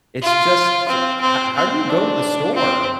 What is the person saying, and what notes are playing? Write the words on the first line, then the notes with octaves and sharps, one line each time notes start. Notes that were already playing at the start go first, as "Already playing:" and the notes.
it's just ja how how do you go to the store?
F4
C4
C4
C4
D4
C4